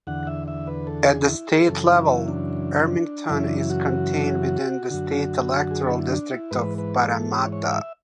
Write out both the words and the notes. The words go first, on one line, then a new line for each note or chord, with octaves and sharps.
At the state level Ermington is contained within the State Electoral District Of Parramatta.
E2 D3 F#5
E5
E5
B4
A4
G#4
E4
G#4
F#2 C#3 E3 A4
E4
E4
D4
F#2 C#3 E3 E4
D4
E4
F#4
F#2 D3
G#4
E4
D4
E4
G#2 E3 B4
B4
A4
C#5
C#5
E5